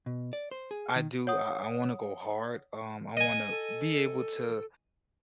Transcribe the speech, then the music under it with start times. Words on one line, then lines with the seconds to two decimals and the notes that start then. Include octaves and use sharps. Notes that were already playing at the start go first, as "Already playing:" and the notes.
I do, I I wanna go hard, um, I wanna be able to
0.06 B2
0.33 D5
0.51 C5
0.71 G#4
0.96 D#3
1.27 C#5 F#5 D#6
3.17 D#5 G#5
3.51 A4